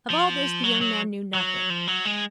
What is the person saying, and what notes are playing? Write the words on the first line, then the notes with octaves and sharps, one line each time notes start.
Of all this the young man knew nothing.
F3
F#3
F#3
F#3
F3
F#3
G#3